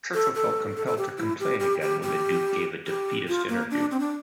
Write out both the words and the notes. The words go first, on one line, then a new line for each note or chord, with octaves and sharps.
Churchill felt compelled to complain again when the Duke gave a "defeatist" interview.
A4
A4
A4
A4
G4
E4
G4
G4
G4
G4
G4
F4
A#3
D4
C4
D4